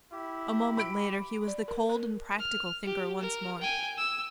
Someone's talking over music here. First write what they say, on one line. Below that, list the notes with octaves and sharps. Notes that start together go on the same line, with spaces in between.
A moment later he was the cold and practical thinker once more.
E4 G4
B5 D7
D5
A#4
A#4
F6
G4
A#4
G5 G#5
E6